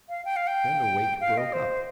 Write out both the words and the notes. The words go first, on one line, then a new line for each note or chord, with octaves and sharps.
Then the wake broke up.
F5
G5
F5
G5
F5
D#5
C5